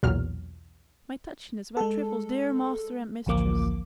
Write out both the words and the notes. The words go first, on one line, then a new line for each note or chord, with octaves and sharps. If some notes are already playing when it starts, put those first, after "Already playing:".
"My touchiness about trifles, dear master and mistress."
B1 E2 A#2 F#3 F6
G#3 A4
A1 D2 F3 A#3 D6